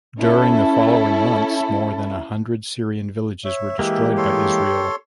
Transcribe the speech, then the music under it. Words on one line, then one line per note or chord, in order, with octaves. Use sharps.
During the following months, more than a hundred Syrian villages were destroyed by Israel.
C#4 E4 A4
C#5 E5
E3 G#3 A#3 G4
A4 C#5 C6